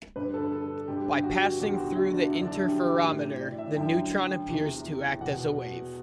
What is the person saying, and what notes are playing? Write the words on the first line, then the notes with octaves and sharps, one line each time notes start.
By passing through the interferometer, the neutron appears to act as a wave.
G2 D3 B4
A4
A4
G2 D3 G4
G4
F#4
E2 D3 G4
F#4
E4
D4
F#2 D3 E4
D4
E4
G4
A2 E3
D5
E5
F#2 D3 G5
E2 C3 E3
E2 B2 F#5